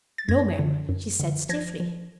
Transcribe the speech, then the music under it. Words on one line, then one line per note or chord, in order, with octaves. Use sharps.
"No, ma'm," she said stiffly.
A6
F#2 G#6 A#6
D3
F#2
D3
F3 G#6 A#6
F3